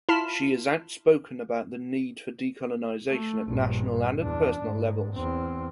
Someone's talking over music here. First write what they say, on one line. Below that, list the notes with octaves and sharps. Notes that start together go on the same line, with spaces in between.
She is outspoken about the need for decolonisation at national and at personal levels.
E4 F4 A5 F6 B6 E7
A3
A#1 G2
E2 D4
G#2
E2 C4